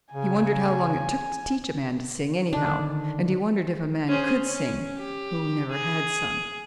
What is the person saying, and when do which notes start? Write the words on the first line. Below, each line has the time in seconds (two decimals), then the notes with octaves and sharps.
He wondered how long it took to teach a man to sing, anyhow; and he wondered if a man could sing--who never had sung.
0.13 C#3 G#5
2.53 D3 D#3 D4
4.08 C#4 G#4 C5
4.43 C#4
4.97 G4
5.72 G#4